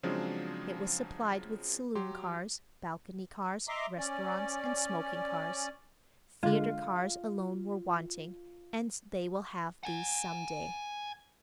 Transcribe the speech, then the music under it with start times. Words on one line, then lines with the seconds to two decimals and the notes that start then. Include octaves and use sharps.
It was supplied with saloon cars, balcony cars, restaurants, and smoking-cars; theatre cars alone were wanting, and they will have these some day.
0.03 C#3 F3 F#3 G#3 C4 D4
1.95 F#3 G4 C6
3.68 D#5 E5 A#5 C6 D6
3.98 C#4 D5
6.43 D3 G#3 F4
9.83 F#5 G#5